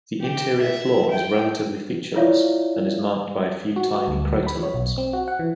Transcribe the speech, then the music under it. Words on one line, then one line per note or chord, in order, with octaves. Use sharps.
The interior floor is relatively featureless, and is marked by a few tiny craterlets.
G4
E5
G5
E4 F4 C#5 D5 E5 F5
F#4
F#4
D2
F#3
B5
C#5
B1
C4
F#4
F#5
E3